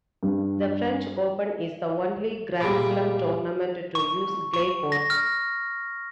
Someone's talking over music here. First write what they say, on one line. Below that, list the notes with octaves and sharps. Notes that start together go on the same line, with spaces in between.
The French Open is the only Grand Slam tournament to use clay courts.
G2
A#2 G3 G#4 E5 B5 D6
C#6
C#6
A#6
F6